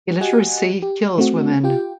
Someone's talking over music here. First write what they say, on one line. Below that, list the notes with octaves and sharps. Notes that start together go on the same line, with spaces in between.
Illiteracy kills women.
F#4 G4 D#5 F#5 G#5
G4
A3 C4 F#4
F4 G4 G5